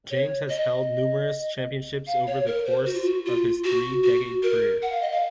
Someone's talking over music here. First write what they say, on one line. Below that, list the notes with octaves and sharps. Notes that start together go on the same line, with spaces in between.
James has held numerous championships over the course of his three-decade career.
C#5
D#5
F5
C#5
A#4
C5
F#4
F4
F#4
F4
F#4
F#4
A#4
F#5
F5
D#5
F5